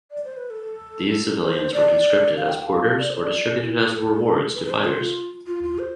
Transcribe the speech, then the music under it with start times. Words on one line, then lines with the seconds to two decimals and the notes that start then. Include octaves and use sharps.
These civilians were conscripted as porters or distributed as rewards to fighters.
0.11 D5
0.24 C5
0.37 B4
0.50 A4
1.43 C5
1.74 D5
2.37 F5
2.49 G5
2.62 F5
2.98 D5
3.10 C5
3.21 D5
3.61 E4
3.77 F4
3.87 B4
3.92 A4
4.54 B4
4.65 B4
4.70 C5
4.85 F4
5.47 F4
5.63 F4
5.79 C5